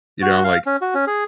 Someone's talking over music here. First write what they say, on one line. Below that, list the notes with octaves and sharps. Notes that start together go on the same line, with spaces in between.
you know, I'm like,
F#4
F5
C#4
F#4
C#4
G#4